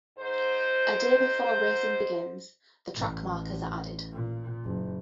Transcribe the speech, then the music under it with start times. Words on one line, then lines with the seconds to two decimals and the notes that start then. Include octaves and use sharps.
A day before racing begins, the track markers are added.
0.19 G#2 C5
2.96 A1
4.13 A#2
4.65 F#1